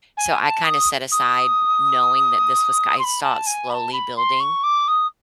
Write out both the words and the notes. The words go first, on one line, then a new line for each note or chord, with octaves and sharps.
So, I kinda set aside knowing that this was c I saw it slowly building
G#5
A5
D#6
D#6
C6
B5
A5
G#5
B5
A5
B5
C6
C#6
D6
D#6